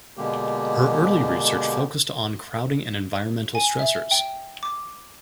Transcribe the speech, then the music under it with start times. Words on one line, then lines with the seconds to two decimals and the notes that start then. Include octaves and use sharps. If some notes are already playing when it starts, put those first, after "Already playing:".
Her early research focused on crowding and environmental stressors.
0.17 B2 D3 G#3 A#3 G4
3.55 G#5
3.79 E5
4.11 G5
4.63 D6